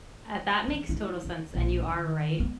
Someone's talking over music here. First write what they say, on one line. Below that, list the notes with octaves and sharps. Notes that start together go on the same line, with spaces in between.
Ah, that makes total sense. And you are right
E3
E4
D2
A#1
D#3
B3